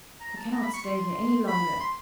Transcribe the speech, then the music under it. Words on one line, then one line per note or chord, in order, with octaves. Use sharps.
I cannot stay here any longer.
A#5
A5
A#5
B5
C#6
C6
B5
C6